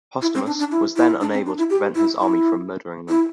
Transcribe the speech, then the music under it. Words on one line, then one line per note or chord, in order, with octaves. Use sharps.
Postumus was then unable to prevent his army from murdering them.
E4
C4
D4
D4
E4
E4
D4
C4
D4
E4
G4
E4
E4
E4